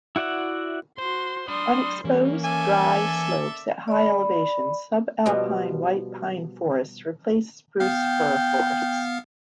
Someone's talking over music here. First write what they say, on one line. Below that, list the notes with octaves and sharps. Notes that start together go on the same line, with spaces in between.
On exposed, dry slopes at high elevations, subalpine white pine forests replace spruce-fir forests.
E4 F#4 D5 E5 F#5
F#4 C5 C6
D4 D5 B5 C6 D#6
E3 G3 A#3 C#4
A4 D5 E5 G#5
D5 B5
B2 F3 G3 B3
B3 F5 G5 F6